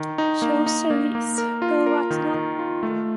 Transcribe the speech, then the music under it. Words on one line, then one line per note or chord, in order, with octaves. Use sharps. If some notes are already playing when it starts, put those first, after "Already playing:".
Joe series, Bill Ratner.
Already playing: D#3
D#4
A#3
D#4
A#3
A#3
A#4
F4
A#4
D#3
D#3
F4
A3